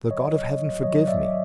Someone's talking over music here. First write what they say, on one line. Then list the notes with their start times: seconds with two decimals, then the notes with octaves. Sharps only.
The God of heaven forgive me!
0.10 G#2 D#3 F#3 C#5 D#5
0.83 G#2 D#3 F#3 C#5 D#5
1.08 D5 E5